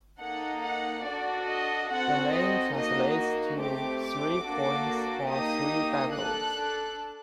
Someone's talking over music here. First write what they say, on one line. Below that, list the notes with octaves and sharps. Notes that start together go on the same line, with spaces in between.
The name translates to "three points" or "three battles".
A#3 D#4 A4 F#5
F#5
D4 F#4 A4 D5
D#5
C4 F#4 A4 F#5
D#5
A#3 D#4 F#4 D#5
A3 C4 G4 D6
D6
A#3 D4 F#4 A4
A#3 D#4 G4 D#6
D4 A4 F#6